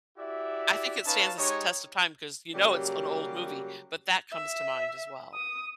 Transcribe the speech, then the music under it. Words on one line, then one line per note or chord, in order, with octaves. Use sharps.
I think it stands the s test of time 'cause you know it's an old movie, but that comes to mind as well.
E4 F#4 G4 D5 E5
C#4 D#4 B4 C#5 F5 A5
G#3 D#4 G4 C#5
C#3 F#3 G3 A#3 G4
E5
D#6